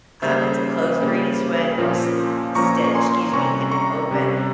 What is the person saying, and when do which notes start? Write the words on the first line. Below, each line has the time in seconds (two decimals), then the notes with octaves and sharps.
um, it's a closed granny sweat s s stitch, excuse me, and an open.
0.22 C#3 G3 A#3 C#4 C5 E5
1.00 C#3 G3 A#3 C#4
1.78 A#2 F3 A#3 C#4
2.55 A#2 F3 A#3 C#4 A#5 C#6
2.84 C#6
2.94 G#5 C6
3.33 C3 G3 C#4 A#5 C#6
3.71 A#5 C#6
4.11 C3 G3 C#4